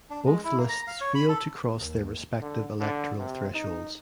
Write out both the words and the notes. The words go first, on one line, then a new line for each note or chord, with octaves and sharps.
Both lists failed to cross their respective electoral thresholds.
D4
G#3
E4
A#3
A#5
F5
C#5
B5
A4
D#2
D3
D3
C3
D#4